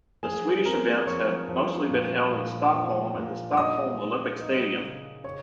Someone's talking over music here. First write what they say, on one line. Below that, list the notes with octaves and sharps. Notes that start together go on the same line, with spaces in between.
The Swedish events have mostly been held in Stockholm at the Stockholm Olympic Stadium.
F3 G#4 G#5
C4 A#4 A#5
F3 C#5 C#6
F3
A#2
A#2
F3
A#2
D#4 D#5 D#6
D#4
D#4
C#3
C#3 C#5 C#6